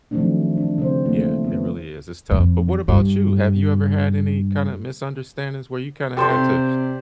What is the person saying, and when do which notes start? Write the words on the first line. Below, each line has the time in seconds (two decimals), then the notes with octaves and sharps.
Yeah, it really is. It's tough. But what about you? Have you ever had any kind of misunderstandings where you kinda had to
0.11 D#3 F3 F#3 A3 C4 D4
0.56 E3 D4
0.78 C#3 C4 C5
1.05 A3 A#3 F4
1.44 B3
2.31 F2
2.88 G2
6.17 G4 A4 C5 D5
6.30 C3